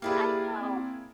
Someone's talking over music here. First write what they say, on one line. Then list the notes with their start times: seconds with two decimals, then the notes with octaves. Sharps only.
I know,
0.02 A#3 E4 G4 G#4 B4 D5 F5
0.60 C4